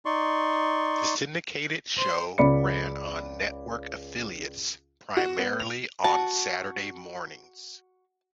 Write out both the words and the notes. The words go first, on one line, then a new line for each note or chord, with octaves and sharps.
The syndicated show ran on network affiliates, primarily on Saturday mornings.
D#4 D5 C6 C#6
C5
C#2 D5 B5 C#7
F#4
B3
F7
F#4 A5